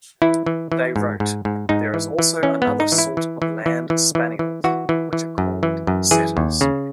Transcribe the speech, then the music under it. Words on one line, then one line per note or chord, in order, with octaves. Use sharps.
They wrote: There is also another sort of land spannyels which are called Setters.
E3 E4
E3
E3
G#2
G#2
G#2
G#2 D#4
E3
E3
E3 C#4
B3
G#2
D#4
E3
E4
E3
E3
E3
E3
E3
E3
E3 F#4
E3
E3
F#2
E3
F#2
E3 G#4
D#2
C#3